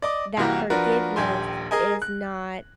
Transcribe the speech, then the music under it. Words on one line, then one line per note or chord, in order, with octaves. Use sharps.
that forgiveness is not
D5 D#5 D6
C2 E3 A#3 F#4 G4 A#4
F3 D4 F#4 A#4 B4
D#1 A#1 G4 G#5 C6
G#4 A#4 D#5 G#5
F#6